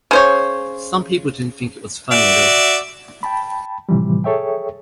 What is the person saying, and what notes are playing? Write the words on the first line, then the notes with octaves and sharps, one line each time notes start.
Some people didn't think it was funny at all.
C#3 C5 C#5
F#4 D5 E5
G5 A5 B5
A2 C3 E3 F3 G3
G#4 A4 C#5 E5 G5